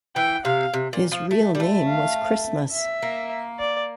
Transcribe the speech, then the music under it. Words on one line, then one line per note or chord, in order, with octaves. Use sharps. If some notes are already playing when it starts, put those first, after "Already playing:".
His real name was Christmas!
E3 G5
C3 F5
C3
A#2
F3
A3
G3
A3
F5
E5
A#3
D5